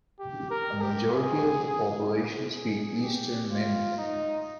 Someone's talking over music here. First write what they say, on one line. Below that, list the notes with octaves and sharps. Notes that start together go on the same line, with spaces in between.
A majority of the population speak Eastern Min.
G4
A#4
G4
G#4
G#4
G4
F4
D#4